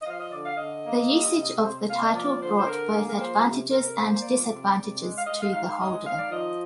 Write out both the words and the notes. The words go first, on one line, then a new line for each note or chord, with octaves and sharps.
The usage of the title brought both advantages and disadvantages to the holder.
D#5
F3 F5
D#5
D3 D5
F5
D3 D#5
A#3
G3
C3
C3 C5
A#3 F5
D#5
F3 D5
D3 C5
C5
D3 A#4
A#3 G#4
A#4
F3 C5
C3
C3 A#4
A#3 C5
F3 D5
C3
C3
G#3
F5
G#3 D#5
F5
D#3 F5
F5
G#3 D#5
D#3 F5
D5
F3 D#5